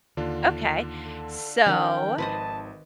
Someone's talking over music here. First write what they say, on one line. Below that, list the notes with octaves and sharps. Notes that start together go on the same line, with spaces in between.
Okay. So,
D#2 D3 D4 F4
A4
D#3 F3 C#4 G5
G#1 B4 C5 D#5 A5